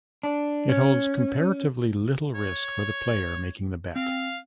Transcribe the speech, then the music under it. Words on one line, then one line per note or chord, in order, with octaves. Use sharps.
It holds comparatively little risk for the player making the bet.
D4
C#4
C#5
C4 F5